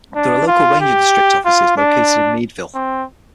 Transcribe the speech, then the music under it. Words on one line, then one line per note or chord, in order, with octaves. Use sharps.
There are local ranger district offices located in Meadville.
D4
F4
G4
F4
D4
C4